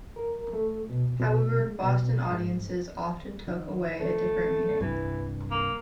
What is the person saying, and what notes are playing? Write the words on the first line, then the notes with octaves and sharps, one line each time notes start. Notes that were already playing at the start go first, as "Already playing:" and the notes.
However, Boston audiences often took away a different meaning.
A#4
A3
B2
B2
G#3
B2
G#2
D#3
A3
C2 G2 E3
A#3